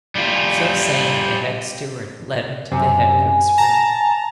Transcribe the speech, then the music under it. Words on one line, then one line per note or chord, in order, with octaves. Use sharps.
So saying, the head steward led him to the head cook's room.
G3 F4
F#2 C3 G#5
A5 A#5